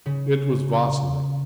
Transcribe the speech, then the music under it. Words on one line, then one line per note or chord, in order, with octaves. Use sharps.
It was Vasily.
C#3